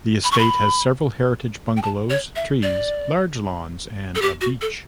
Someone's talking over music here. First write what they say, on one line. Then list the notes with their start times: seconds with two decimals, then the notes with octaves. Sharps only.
The estate has several heritage bungalows, trees, large lawns and a beach.
0.24 B5
0.31 C#6
0.39 B5
1.77 G5
1.82 A5
2.10 C#5
2.36 E5
2.63 D5
4.15 A4
4.22 G4
4.41 F#4
4.61 A4